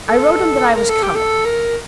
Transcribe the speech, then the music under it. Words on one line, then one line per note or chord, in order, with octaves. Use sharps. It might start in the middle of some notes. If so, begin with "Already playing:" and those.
I wrote him that I was coming.
A4
A#4
A4
G4
A4
A#4